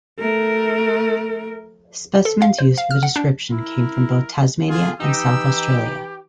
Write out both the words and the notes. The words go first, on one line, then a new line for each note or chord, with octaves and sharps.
Specimens used for the description came from both Tasmania and South Australia.
A3 A#4
A4
F5
C5
F5
F6
F#5
D4
E4 A#4
D3 F4 G#4
E3 D#4 G4 E6